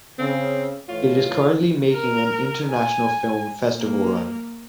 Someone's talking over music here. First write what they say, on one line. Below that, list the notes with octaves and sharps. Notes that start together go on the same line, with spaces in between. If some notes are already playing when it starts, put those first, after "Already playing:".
It is currently making an international film festival run.
C#3 C4
A2 E3 F4 C#5
A#4
G#5
A#3